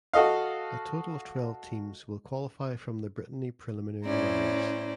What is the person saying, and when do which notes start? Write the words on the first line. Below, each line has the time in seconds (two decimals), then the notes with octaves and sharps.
A total of twelve teams will qualify from the Brittany preliminary rounds.
0.13 F#4 A4 D#5 F5
4.04 A2 C#4 E4 C5 D5 A#5